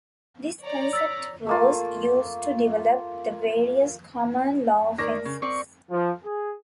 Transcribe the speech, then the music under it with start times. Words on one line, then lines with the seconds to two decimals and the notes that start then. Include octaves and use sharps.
This concept was used to develop the various common law offences.
0.61 C#5 D5 A#5
0.93 E6 A6 B6
1.47 A3 A#3 F4
4.98 D#3 A#3 A#4 D5 A#6
5.25 C#3
5.42 C4 D5 C#6
5.90 F3
6.23 G#4